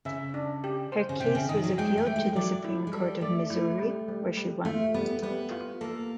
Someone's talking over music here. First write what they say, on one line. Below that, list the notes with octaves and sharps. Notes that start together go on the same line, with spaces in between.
Her case was appealed to the Supreme Court of Missouri, where she won.
C#3 E5
D4
G4
C5
C#3
C3 G5
C#3
D#3 D#5
F#3
G#3 G5
A3
G5
G#3
F#3 D5
E4
G#3
G3 A4
A3 D5
A3 E4
G3
G3
G3
A3 F4
G3 B3
G3 B3
F4
A#3 A4